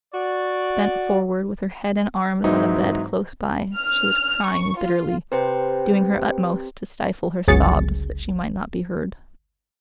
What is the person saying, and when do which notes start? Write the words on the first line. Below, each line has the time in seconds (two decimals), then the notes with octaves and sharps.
Bent forward, with her head and arms on the bed close by, she was crying bitterly, doing her utmost to stifle her sobs that she might not be heard.
0.14 F#4 D5
2.44 G#2 E3 F#3 C4 D#4 E4
3.77 F6
4.45 C#6
4.77 F4
5.32 C3 B4 C5 G5
7.48 G1 C#2 F#3 G#4 A6 C#7